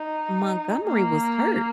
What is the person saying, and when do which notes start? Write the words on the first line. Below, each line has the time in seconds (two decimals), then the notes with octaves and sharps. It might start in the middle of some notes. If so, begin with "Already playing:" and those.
Montgomery was hurt,
Already playing: D#4
0.85 A#3